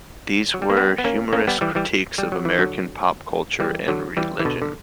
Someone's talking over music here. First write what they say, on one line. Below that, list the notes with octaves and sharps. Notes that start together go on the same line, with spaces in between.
These were humorous critiques of American pop culture and religion.
F#3
G3
A#3
G3 B3
B3
A#3 C#4
A#3 C#4
G3 B3
E3 G3
E3 G3
G3
F#3
E3
D3 F#3
E3 G3
D3 F#3
E3 G3
E3
B2 D3
D3